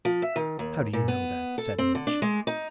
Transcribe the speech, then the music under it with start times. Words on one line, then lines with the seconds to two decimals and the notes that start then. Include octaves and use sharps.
"How do you know that?" said Much.
0.05 F3
0.22 E5
0.36 D#3
0.59 D#2
0.93 A#2
1.08 B3
1.58 A4
1.78 C4
1.95 D3
2.07 D4
2.22 G#3
2.47 D#4